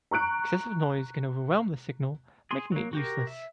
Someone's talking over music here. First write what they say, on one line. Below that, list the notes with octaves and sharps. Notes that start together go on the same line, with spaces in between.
Excessive noise can overwhelm the signal, making it useless.
A#5 C#6 F#6 D7
G#4 C6
F#3 A#3
F#4 G4 A#4
E5